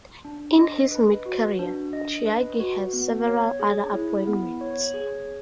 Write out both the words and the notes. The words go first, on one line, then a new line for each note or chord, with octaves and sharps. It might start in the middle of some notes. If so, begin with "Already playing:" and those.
In his mid career, Tyagi had several other appointments.
D4
D#5
B4
F#4
D4
D#5
B4
F#4
B3
C#5
G#4
E4
B3
C#5
G#4